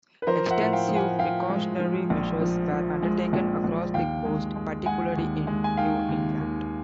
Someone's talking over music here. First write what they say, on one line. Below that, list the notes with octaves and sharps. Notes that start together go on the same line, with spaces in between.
Extensive precautionary measures were undertaken across the coast, particularly in New England.
B4
F3 A#4 C5
E5 F#5
A2
F5 G5
F3
F#5 G#5
F3 F5 G5
G#3
F3
A#1
F3
F3
G#3
A#1
A#1
D#2 F5 G5
G#3
G#3
G#3 F#5 G#5
D#2
G#3
G#5
D#3 F5 G5
D#2
D#2